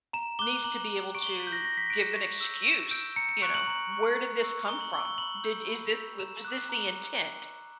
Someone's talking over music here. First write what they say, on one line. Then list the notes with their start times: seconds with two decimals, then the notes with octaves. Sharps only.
needs to be able to give an excuse, you know? "Where did this come from? Did is this w was this the intent,"
0.13 A#5 E7
0.39 D6 F#6 G7
0.64 A#5 F#7
0.90 D6 F#6
1.15 C#6 D7
1.22 G7
1.27 F#7
1.40 F#6 B6
1.47 G6
1.52 A#6
1.65 C#6 A#6
1.77 B6
1.90 F#6 D7
2.03 E7
2.15 C#6
2.41 E6 G6
2.66 C#6 E7
2.91 E6 G6 D7
3.16 A#5 C#7
3.29 C#7
3.42 C#6 F#6 D7
3.55 F#7
3.67 A#5 F#7
3.92 C#6 F#6
4.17 A#5
4.43 C#6 E6
4.68 A#5 G7
4.81 F#7
4.93 C#6 E6 G7
5.06 G7
5.18 B5 F#7
5.44 E6 G6
5.69 B5
5.94 E6 G6
6.19 A#5 E7
6.45 D6 F#6
6.69 A#5